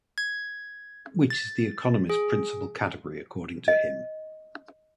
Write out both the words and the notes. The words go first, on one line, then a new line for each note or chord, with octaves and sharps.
Which is the economist’s principal category according to him.
G#6
A6
G#4
D#5